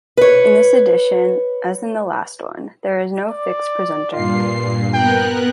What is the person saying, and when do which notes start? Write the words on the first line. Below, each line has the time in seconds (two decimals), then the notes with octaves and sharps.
In this edition, as in the last one, there is no fix presenter.
0.17 B4 C#5
3.30 D5
4.12 G2 A#2 F4 C7
4.94 B3 A#4 G5 F#6